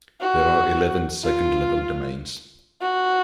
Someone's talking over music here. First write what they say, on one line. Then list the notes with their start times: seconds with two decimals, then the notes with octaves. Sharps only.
There are eleven second-level domains.
0.21 F#4
1.25 F4
2.81 F#4